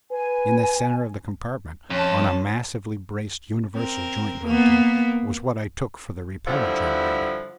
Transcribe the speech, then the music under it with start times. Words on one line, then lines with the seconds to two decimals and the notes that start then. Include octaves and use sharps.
In the center of the compartment, on a massively braced universal joint mounting, was what I took for the repellor generator.
0.12 B4 G#5
1.90 F2 C#4 A5
3.76 C4 A#4
4.46 A#3 B3
6.46 G2 D3 F3 E4